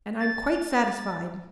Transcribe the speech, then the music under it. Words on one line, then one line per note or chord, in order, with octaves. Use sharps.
And I'm quite satisfied.
A6